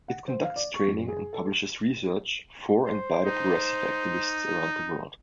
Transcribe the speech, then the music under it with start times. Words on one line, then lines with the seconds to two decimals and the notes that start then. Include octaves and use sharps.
It conducts training and publishes research for and by progressive activists around the world.
0.08 F#5
0.28 C5
0.44 F5
0.56 D5
0.74 C#6
0.88 F#2
1.08 G#4
1.33 A4
2.86 C5
3.26 D#4